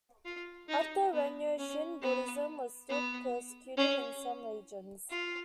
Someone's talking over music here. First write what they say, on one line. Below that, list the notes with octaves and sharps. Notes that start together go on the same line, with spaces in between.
After Rennyo, Shin Buddhism was still persecuted in some regions.
F4
D#4
B3
C#4
B3
B3
C#4
F4